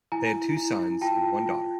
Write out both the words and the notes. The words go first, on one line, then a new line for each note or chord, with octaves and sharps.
They had two sons, and one daughter.
E4 G#5 A#5
E4
E4
E4
F4 G5 A5
F4
F4